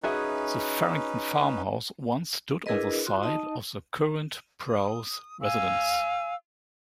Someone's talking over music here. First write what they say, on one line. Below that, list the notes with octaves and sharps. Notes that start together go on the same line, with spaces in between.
The Farrington farmhouse once stood on the site of the current Prowse residence.
C#4 D#4 F#4 G#4 B4 E5
D4 E4 G#4 A#4 B4 D#5
F4 F#4 C6
D#4 D#5 A5
D#6
F5 G#5 E6